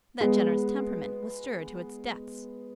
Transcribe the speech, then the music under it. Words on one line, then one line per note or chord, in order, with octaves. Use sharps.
That generous temperament was stirred to its depths.
G#3 B3